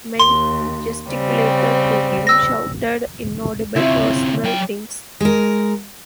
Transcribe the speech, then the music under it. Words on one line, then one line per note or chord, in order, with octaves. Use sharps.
Men gesticulated to him, shouted inaudible personal things.
D#2 C6
C#3 G3 C4
E6 A#6
C#3 C4 E4 F4 C#5
F#3 G5
G#3 A#4